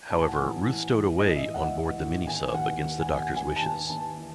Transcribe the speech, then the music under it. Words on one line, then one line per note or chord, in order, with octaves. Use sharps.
However, Ruth stowed away on board the mini-sub against the Doctor's wishes.
A2 A5
G#5
F#5
A1 G#5
A1
A1
A2 D#5
E5
A1
F#5
E3
A2
D#3 G#5
D#2 F#5
D#2
G#5
D#3
F#5
D#2 G#5
A5
D#2 G#5
D#2 A5
E3